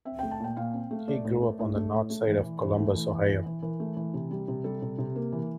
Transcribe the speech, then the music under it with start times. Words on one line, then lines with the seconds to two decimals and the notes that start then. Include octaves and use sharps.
He grew up on the north side of Columbus, Ohio.
0.05 C4 E5
0.19 A3 G5
0.31 A5
0.40 A#2 G5
0.57 A#2 F5
0.74 C4
0.91 A3
1.08 A3 D5
1.25 A2
1.42 A3
1.59 A2
1.75 A3
1.93 A2
2.10 A3
2.27 E3
2.44 E3
2.60 E3 C5
2.78 A3
2.95 E3
3.12 E3
3.29 E3
3.46 E3
3.62 E3 A#4
3.80 A3
3.96 E3
4.14 C3
4.31 G3
4.48 C3
4.64 G3 A4
4.82 C3
4.98 C3
5.16 A#3 A#4
5.32 E3